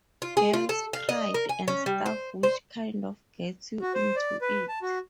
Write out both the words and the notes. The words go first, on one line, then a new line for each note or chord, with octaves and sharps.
Girls cried and stuff which kind of gets you into it.
F4
G#4
F4
A4
F5
D#5
A#4
G#5
C#4
G3
C5
C5
F#4
C5
D5
B4
A5
F#4